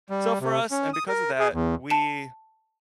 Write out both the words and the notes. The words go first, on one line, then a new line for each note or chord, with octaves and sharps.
So for us, and because of that, we
G3
C3
C#4
D#6
A#4
G#4
E2
A5 E7